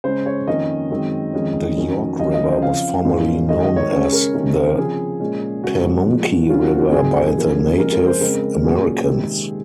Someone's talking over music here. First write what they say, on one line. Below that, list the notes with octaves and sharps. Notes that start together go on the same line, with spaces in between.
The York River was formerly known as the Pamunkey River by the Native Americans.
C#3 G#3 C#4 C5
C#5
F2 D#3 A#3 C#4 D#5
F#2 D#3 G#3 C4
F2 D#3 G#3 C#4
F2 D#3 F#3 C#4
F2 D#3 F#3 C#4 D#5
D#5
C5
C#3 F3 C4 F5
G#2 F3 A#3 C#4
F#2 D#3 G#3 D#5
D#5
C#5
C#3 G#3 C#4 C#5
A#4
C3 D#3 A#3 C#4
C#3 F3 C4 G#4
A#2 G#3 C#4
C#3 G#3 C#4 F#4
A#2 F3 G#3
C3 F#3 C#4 F4
F#4
F#4
G#2 F#3 C4 G#4
C3 F3 A#3 C#4
F2 C#3 G#3 C#4 A#4
A#4
C5
C#3 G#3 C4 A#4
A#2 F#3 A#3 C#4 G#4
C3 D#3 G#3 C4